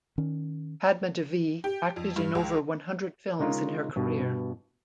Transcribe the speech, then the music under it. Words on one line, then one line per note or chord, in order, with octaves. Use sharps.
Padma Devi acted in over one hundred films in her career.
D#3 C#4
G4
F2
G2
C#2
C#3 G#3 D#4 F4 A#4
G2 B2